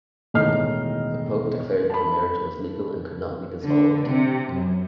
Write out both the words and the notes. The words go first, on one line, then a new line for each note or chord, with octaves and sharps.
The pope declared that the marriage was legal and could not be dissolved.
E1 A2 D#3 D#5 F6 C7
A5 B5
D3
C3
F#2